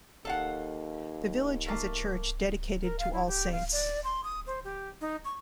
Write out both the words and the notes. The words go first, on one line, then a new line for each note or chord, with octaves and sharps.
The village has a church dedicated to All Saints.
D#2 A4 F5 F#5
A3 A#3
A#4
F5
E4
G4
F5
D5
C6
D#6
C5
G4
D#4
C#6